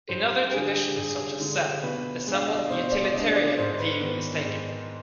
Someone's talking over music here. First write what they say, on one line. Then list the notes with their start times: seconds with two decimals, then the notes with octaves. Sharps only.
In other traditions, such as Zen, a somewhat utilitarian view is taken.
0.09 G2 C5
0.31 B4
0.44 G4
0.53 D3 G#3 D4 G#4
0.75 G4
0.96 G2 G#4
1.40 D3 G#3 D4
1.83 B2 B4
2.27 G#3 D4
2.34 F5
2.46 D#5
2.59 D5
2.70 B2 C5
2.83 C5
2.92 D5
3.05 D5
3.13 G#3 D4 D#5
3.36 D5
3.58 G#2 C5
3.79 B4
4.01 D#3 B3 B4
4.44 G#2